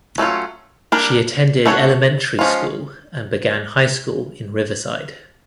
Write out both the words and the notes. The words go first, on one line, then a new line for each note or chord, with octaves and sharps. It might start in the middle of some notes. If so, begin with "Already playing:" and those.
She attended elementary school and began high school in Riverside.
F#3 A3 C#4 F4
G3 A#3 D4 G4 A#4
A3 D4 F#4 A4 C#5
F3 G#3 C#4 F4